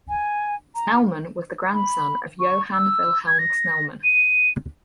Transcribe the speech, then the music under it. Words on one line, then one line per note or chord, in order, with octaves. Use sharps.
Snellman was the grandson of Johan Vilhelm Snellman.
G#5
A#5
B5
C#6
E6
G#6
A#6
D#7